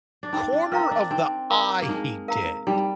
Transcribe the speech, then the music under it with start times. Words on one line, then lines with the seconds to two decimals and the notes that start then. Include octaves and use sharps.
Corner of the eye, he did
0.23 D4
0.33 C4 D#4
0.53 D4
0.72 C4 A#4 F5 A#5
0.91 D4
1.11 C4 D#4
1.50 A#4 F5 A#5
1.82 A#3
1.89 G#3 D#4
2.28 A#4 F5 A#5
2.67 G3 D#4